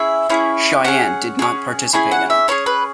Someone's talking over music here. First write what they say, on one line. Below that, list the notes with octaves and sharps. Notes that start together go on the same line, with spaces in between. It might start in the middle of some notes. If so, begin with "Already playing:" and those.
Chayanne did not participate in it.
Already playing: C#4 E4 G#4 E5
C#4 E4 G#4
C#4 G#4 F#5
C#4 G#4
C#4 E4 G#4 G#5
F#5
E5
C#4 E4 G#4 C#5
B4